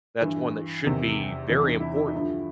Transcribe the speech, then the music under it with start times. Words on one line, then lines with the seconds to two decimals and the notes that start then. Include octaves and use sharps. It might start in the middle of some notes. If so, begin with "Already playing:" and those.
that’s one that should be very important.
0.21 G2 E3
0.84 E2 C3 D#3
1.49 E2 C3 E3 D4
1.64 D#4
1.80 E4
1.96 E4
2.06 D#4
2.12 G2 D3 F3 E4